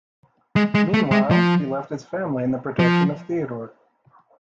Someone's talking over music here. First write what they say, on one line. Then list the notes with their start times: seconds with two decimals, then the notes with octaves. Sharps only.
Meanwhile, he left his family in the protection of Theodore.
0.56 G#3
0.75 G#3
0.94 A3
1.11 G#3
1.31 F3
2.79 F3